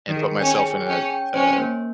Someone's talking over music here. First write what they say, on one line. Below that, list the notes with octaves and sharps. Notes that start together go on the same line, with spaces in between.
and put myself in a, uh,
D#3
G#4
C#4 G5
G#4
C#4 G5
G5
C#4 C5
A#3